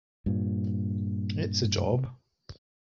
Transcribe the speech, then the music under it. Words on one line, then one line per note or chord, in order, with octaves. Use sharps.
It's a job.
G2 A#2